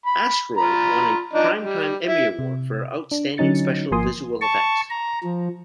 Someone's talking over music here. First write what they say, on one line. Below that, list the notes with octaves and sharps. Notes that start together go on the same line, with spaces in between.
"Asteroid" won a Primetime Emmy Award for Outstanding Special Visual Effects.
B5
F4 A#5 B5
F3 D4 D#4
G3
E4
C3
D4
D3 F#3 C#4 D#4 A6 C#7
G#1 F3 A#3 G#5 C6 D#6
A5 C#6
A#5
F3